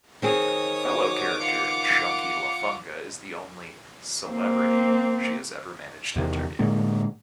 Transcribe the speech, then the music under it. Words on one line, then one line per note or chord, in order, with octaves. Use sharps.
Fellow character Chunky Lafunga is the only "celebrity" she has ever managed to interview.
D#3 C4 G#4 C#5 D#6
F#4 D6
F4 F#5 C#7
A#3 C4
E2 C3 D#3
A2 D3 G#3 A#3